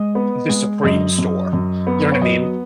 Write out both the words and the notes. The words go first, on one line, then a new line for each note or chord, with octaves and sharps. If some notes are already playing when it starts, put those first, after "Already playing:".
the Supreme store, you know what I mean?
Already playing: G#3 D#5
B3
G#3
F#2 D#5
F#2
F#2
B3
C#5
F#3 D#5